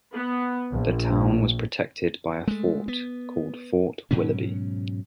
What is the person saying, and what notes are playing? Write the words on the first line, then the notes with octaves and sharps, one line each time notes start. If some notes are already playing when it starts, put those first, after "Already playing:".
The town was protected by a fort, called Fort Willoughby.
B3
A#1
G#3 A3
B3
G#2 B2 F#3 C#4